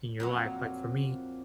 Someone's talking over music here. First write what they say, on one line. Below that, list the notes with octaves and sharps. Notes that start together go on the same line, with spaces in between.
in your life, like, for me,
F2 A#2 F#3